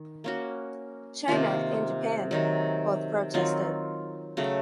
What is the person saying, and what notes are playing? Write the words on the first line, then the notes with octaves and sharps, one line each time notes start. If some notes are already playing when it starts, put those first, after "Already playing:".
China and Japan both protested.
Already playing: D#3
A#3 C#4 F#4
C3 D#3 A#3 F4
C3 D#3 F#3
D#3 F#3 C4 F4
C#3 F#3 A3